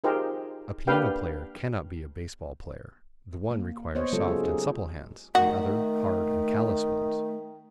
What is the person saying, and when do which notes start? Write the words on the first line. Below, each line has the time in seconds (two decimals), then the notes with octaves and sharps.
A piano player cannot be a base-ball player: the one requires soft and supple hands, the other hard and callous ones.
0.04 D#4 F4 G4 G#4 A#4 C5
0.87 A#3 D4 G4 B4 F5 G5
3.51 A#3
3.95 B3 C5 C#5 D#5
4.12 C#3 F#3 G#3 F4 A4
4.27 F4 G#4
4.44 D#4 G4 G#4
5.35 D#3 A3 F#4